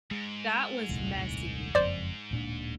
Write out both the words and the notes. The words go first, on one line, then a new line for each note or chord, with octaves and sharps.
That was messy.
G#2 G#3
D#1 C2 A2
F#1 F2 C5 D5
D1 A#2 D4